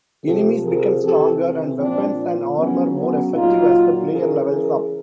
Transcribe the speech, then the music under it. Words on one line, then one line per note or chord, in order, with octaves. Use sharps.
Enemies become stronger and weapons and armor more effective as the player levels up.
C3 F3 G4 A4
G#4 A#4
C3 E3 G4 A4
A#2 F3 C4 D4
C#3 F#3 B3 C#4
B3 C#4
A#2 F#3 D#4 F4
C#3 E3 G#4 A#4
G#4 A#4